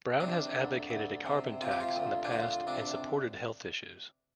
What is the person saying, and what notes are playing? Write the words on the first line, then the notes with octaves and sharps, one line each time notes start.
Brown has advocated a carbon tax in the past and supported health issues.
C3 D4
D2
D2
C3
C3 F4
G4
F4
D2
D4
D2 F4
C3 D4